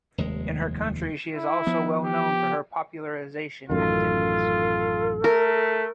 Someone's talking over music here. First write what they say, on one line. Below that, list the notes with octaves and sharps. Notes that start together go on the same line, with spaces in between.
In her country she is also well known for her popularization activities.
F1 D#2 G#3
E4
F3 B3
G4
A1 F#2 D#3 F4 A4
A3 A#4